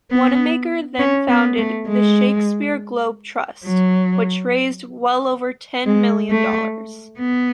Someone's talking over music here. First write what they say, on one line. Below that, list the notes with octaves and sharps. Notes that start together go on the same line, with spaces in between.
Wanamaker then founded the Shakespeare Globe Trust, which raised well over ten million dollars.
B3
C#4
B3
A3
G#3
F#3
G#3
A3
B3